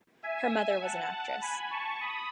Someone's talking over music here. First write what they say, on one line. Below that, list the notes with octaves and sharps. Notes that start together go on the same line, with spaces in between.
Her mother was an actress.
E5 G#5
F#5 A5
G#5 B5
A5 C#6
B5 D#6